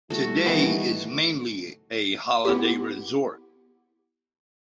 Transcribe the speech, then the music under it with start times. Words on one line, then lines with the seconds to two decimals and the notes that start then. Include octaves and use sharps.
Today it is mainly a holiday resort.
0.10 G3 A3 E4 F#4
0.46 D#3 E3 B3
2.45 B3 E4 G4